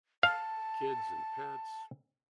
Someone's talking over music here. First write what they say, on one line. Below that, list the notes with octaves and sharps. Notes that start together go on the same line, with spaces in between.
kids and pets,
F5 A5